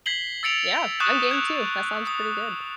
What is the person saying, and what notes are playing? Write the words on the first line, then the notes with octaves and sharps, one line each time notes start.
Yeah, I'm game too. That sounds pretty good.
G#6 B6 C7 F#7 G7
E6 A6 C#7 D7 F7
C#6 D#6 F#6 G6 C7 E7
F#6 G#6
D#6